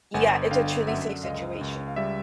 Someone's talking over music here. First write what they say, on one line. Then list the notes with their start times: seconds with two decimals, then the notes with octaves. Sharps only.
Yeah. It's a truly safe situation.
0.14 G1 F#5 G#5
0.51 D3 F5 G5
0.87 F#2 E5 F#5
1.23 C#2 D#5 F5
1.61 C#2
1.88 F5
1.96 G3 D5 E5